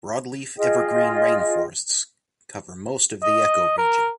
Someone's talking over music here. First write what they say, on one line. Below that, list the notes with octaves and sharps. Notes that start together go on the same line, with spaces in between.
Broadleaf evergreen rain forests cover most of the ecoregion.
F4 G#4 D#5 G5
D#5
A#4